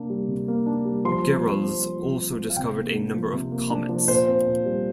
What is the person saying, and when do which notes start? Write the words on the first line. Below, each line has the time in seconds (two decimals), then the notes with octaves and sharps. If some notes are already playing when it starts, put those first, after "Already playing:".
Gehrels also discovered a number of comets.
Already playing: C3 A#3 D4
0.10 G3
0.28 C3
0.48 A#3
0.66 D4
0.85 G3
1.05 F3 C6
1.24 F3
1.43 C4
1.62 C4
1.81 F3
1.99 F3
2.18 C4
2.38 C4
2.50 F5
2.56 C3 G5
2.76 A#3
2.95 D4
3.14 F3
3.33 C3
3.52 A#3
3.70 D4
3.89 F3
4.08 A#2 C5
4.27 C4
4.47 A#2
4.65 G3